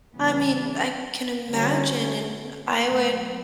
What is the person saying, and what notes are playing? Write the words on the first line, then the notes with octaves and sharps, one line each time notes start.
I mean, I can imagine, and I would,
C#3 E3 G3 B3 D4
D3 G3 C#4 F#4
B2 F#3 A3